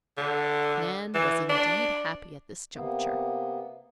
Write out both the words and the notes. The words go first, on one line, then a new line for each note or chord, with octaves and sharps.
Nan was indeed happy at this juncture.
D3
E3
D4
C3 A#3 B3